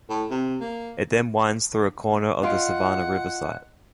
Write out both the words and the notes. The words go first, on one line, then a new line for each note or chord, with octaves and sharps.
It then winds through a corner of the Savannah River Site.
A2
C3
A#3
F4 D#5 F5 F#5 C6 D7